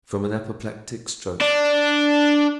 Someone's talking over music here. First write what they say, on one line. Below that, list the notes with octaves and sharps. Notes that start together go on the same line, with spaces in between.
"From an apoplectic stroke."
D4